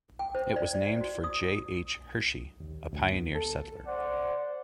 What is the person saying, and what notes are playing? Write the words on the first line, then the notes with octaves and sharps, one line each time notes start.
It was named for J. H. Hershey, a pioneer settler.
G5
C5
D5
D5
F#4
D#6
D#2
D2
B3
A4
C5 D5 F#5